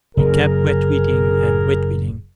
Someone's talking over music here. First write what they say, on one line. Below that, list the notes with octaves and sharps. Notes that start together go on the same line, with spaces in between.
We kept wetweating and wetweating.
F#1 G#4 A#4